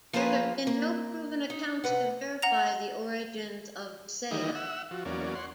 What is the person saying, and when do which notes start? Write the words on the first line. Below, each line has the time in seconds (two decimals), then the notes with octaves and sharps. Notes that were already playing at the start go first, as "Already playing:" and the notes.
There have been no proven accounts to verify the origins of "Bisaya".
0.13 F3 A#3 F4 G#4 A#4 B4
0.67 A#3
1.50 D#4
1.84 C3 B4 F#5
2.42 F#5 A#5 A#6 F7
4.31 D#3 E3 G3 A#3 D#4
4.55 E5 F#5 E6
4.91 F3 F#4
5.05 E2 F#3 A#3 C#4 D5
5.35 C#5 F#5 C6